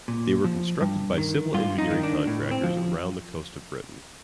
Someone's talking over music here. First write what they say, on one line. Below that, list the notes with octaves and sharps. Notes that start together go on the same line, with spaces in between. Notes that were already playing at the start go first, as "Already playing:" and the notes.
They were constructed by civil engineering contractors around the coast of Britain.
A#2
F3
G2
D#3
G2 F4
D#4
D#3
D4
A2
C4
F3